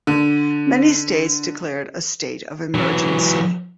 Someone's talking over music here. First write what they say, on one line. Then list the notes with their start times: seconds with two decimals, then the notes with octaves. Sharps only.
Many states declared a state of emergency.
0.07 D3
2.75 E3 F#3